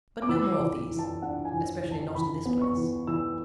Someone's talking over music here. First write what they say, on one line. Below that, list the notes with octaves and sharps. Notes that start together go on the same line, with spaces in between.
But no more of these; especially not in this place.
D6
E3 E6
D6
E3
E3
A5
D4 F#5
G#5
E3
E3
A5
E3 B5
B3
C#6
E3
E3 E6